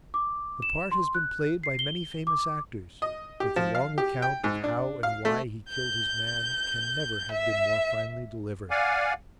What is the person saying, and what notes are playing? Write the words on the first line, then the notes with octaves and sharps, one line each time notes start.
The part has been played by many famous actors, but the long account of how and why he killed his man can never have been more finely delivered.
D6
E7
C6
F#6
C7
G7
D6
D#5
G4
F3
F5
G4
G5
G#2
D4
F5
A3
G6
E5
D5 F5 F#5 G#5